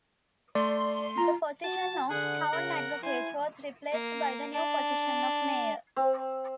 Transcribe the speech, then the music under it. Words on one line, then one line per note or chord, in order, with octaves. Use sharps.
The position of 'town advocate' was replaced by the new position of mayor.
A3 D5 C6
F4 A#5
F#4 A5
D3 G#4 F#5
C#3 A#4
E4 C5 G#5
A#3
D4
C4